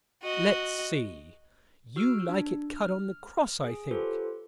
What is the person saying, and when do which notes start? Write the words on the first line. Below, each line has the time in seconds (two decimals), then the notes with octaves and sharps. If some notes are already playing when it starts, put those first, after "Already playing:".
Let's see; you like it cut on the cross, I think?
0.23 F#4 D#5
1.96 F#4 E6 F6 D7
2.29 D4
2.76 F6
3.64 G#4
3.91 F4 G4 A4 B4 C5